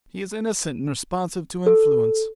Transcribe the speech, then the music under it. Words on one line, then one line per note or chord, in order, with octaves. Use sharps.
He is innocent and responsive to influence.
A4